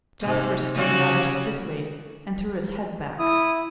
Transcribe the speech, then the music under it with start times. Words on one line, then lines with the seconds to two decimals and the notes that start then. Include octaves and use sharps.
Jasper stood rather stiffly, and threw his head back.
0.21 G#2 C3
0.73 C#3 G3 F#4
3.20 E4 D#6